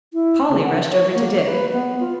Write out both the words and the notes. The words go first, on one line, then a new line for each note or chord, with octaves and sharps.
Polly rushed over to Dick.
E4
C#3
F#5
C#5
A#3
B4
B3
F4